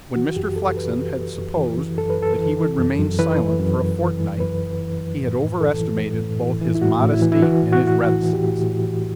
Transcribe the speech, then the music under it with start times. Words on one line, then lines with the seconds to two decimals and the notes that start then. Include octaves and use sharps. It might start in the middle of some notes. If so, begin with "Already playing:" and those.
When Mr. Flexen had supposed that he would remain silent for a fortnight, he had overestimated both his modesty and his reticence.
0.16 E3 F#4
0.36 F#2 G4
0.56 F#2 A4
0.77 E3 B4
0.97 E3
1.17 F#2
1.37 F#2
1.57 E3
1.78 E3
1.97 F#2 A4
2.10 B4
2.18 F#2 A4
2.38 E3
2.58 E3
2.78 F#2
2.99 F#2
3.19 E3 B4
3.39 E3
3.59 F#2
3.79 F#2
3.99 E3
4.20 E3
4.40 F#2 B4
4.61 F#2
4.80 E3
5.00 E3
5.20 A2
5.41 A2
5.61 E3 A4
5.81 E3
6.01 A2
6.21 A2
6.41 E3
6.62 E3
6.75 E4
6.82 A2 F#4
7.02 A2
7.12 E4
7.22 E3
7.32 E4
7.42 E3 F#4
7.63 A2
7.72 F#4
7.80 A2 E4
7.87 F#4
8.03 E3 F#4
8.23 E3
8.33 G4
8.43 A2
8.64 A2
8.83 E3